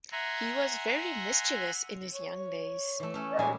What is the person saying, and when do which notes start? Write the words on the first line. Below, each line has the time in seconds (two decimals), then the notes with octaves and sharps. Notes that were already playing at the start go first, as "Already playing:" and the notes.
He was very mischievous in his young days.
0.12 E5 F#5 G#5 A#5 C6
2.12 C#5
3.00 E3 A3
3.14 A3 C#4
3.39 A#2 G3 G#3 G#5